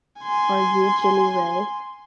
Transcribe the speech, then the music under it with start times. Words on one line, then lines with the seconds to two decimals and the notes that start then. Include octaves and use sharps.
Are You Jimmy Ray?
0.21 G#5 C6